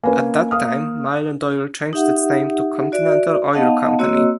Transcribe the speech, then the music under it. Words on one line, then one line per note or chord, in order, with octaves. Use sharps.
At that time, Marland Oil changed its name to Continental Oil Company.
A#3 C#4 B4 G#5
F5 D#6 F6
D#4 G4 E5 F#5
F#4 D5 E5
B3 D#4 D#5 F5 F#5 A5
A#3 C4 F#4 C#5 D#5 E6